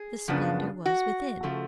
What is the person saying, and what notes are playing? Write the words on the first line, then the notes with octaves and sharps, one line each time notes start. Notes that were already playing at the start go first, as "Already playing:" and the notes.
The splendor was within.
Already playing: G#4
F#2 C#3 F3 B3 D4
F#4
C#3 F3 A3